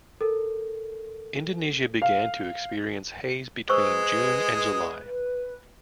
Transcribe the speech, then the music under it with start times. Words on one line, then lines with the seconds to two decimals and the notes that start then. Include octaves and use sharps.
Indonesia began to experience haze between June and July.
0.21 A4 A#4
2.02 F5
3.69 G#3 G#4 B4 C5 C#6 E6